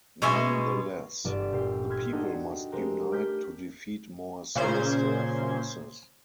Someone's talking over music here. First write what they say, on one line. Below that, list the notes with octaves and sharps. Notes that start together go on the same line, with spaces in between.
Nonetheless, the people must unite to defeat more sinister forces.
B2 G#3 C#4 C#5 E5 C6
G1 G3 D5 D#7 E7
A#2 G4 G5 E6 C7
C6 E6 F6 G6 G#6 B6
D4 D#4 F#4 A4 D#5 G5
G#3 A3 G4 A#4 C5
D6 F6 G6 B6
A#2 C#3 C5 G#6